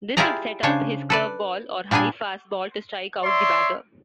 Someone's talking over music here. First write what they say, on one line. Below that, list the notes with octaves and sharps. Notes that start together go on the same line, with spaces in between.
This would set up his curveball or high fastball to strike out the batter.
E4 F4 G4 G#4 D5 A#5
C#3 D4 C5 C#5
A4 B4 D5
A#2 G3 D4 G#4 G#5
C#5 D5 E5 C6